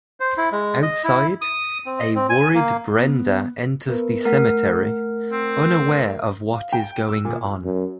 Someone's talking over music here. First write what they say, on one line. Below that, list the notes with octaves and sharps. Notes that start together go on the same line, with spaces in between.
Outside, a worried Brenda enters the cemetery, unaware of what is going on.
C5
E4
G#3
D#5
E4
D#6
C4
D#5
C4
G#5
A#3
B3
B3 A#4 B4
A3 A#4 F#5 B6
C4
F5
G5
E6
A#2
F#2